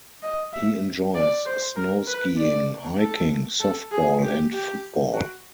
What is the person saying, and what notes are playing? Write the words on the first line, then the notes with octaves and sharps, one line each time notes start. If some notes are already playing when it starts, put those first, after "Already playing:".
He enjoys snow skiing, hiking, softball and football.
D#5
E5
D5
C5
A#4
B4
D5
A4
A4
G#4
G4
G4
F#4